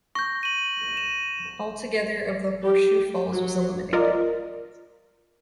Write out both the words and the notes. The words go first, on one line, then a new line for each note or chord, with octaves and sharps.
Altogether, of the Horseshoe Falls was eliminated.
C#6 G6 A#6
D#7 F#7
E7
G4
F#3
F4 A#4 D5 D#5